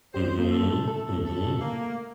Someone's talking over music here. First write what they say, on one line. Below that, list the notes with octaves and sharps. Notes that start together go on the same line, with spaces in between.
Mhm, mhm.
G3 C5
A#3
A4
A3
A3 A4
A4
A#3